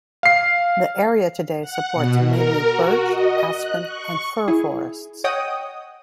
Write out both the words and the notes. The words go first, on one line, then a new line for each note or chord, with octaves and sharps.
The area today supports mainly birch, aspen, and fir forests.
F5 C7
F#5
B2
A#4
F#4
D#5
F#6
C#6
E4 G#4
C#5 D#5 F#5 G5 D#6